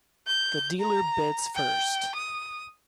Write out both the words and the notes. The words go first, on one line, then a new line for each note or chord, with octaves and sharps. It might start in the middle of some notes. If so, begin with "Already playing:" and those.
The dealer bids first.
G6
A#5
G5
D#6